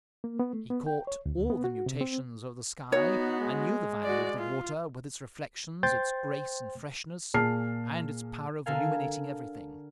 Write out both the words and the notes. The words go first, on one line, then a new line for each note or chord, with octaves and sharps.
He caught all the mutations of the sky, and knew the value of the water, with its reflections, its grace and freshness, and its power of illuminating everything.
A#3
B3
A3
B3
G5
C#5
D2
B3
F#4
C3
C4
B3 D#4 F#4 C#5
G#3
F#4 D5
F4
C5 G5 C6 G6 A6
A#2 G#4 A5 F6 C7
D3 A4 A#4 F5 G#5